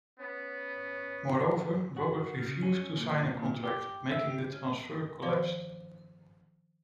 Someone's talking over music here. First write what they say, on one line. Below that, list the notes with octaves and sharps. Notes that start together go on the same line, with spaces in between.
Moreover, Robert refused to sign a contract, making the transfer collapsed.
B3 C#4
F#4
C#3
C#4
A#2
A#2
G4
E5
G4
C#4
D#3 F3 C5 D5 F5 D6